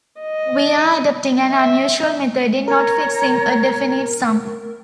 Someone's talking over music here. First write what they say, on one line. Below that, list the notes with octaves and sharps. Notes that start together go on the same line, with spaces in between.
We are adopting an unusual method in not fixing a definite sum.
D#5
E5
A#4 C#5 A#5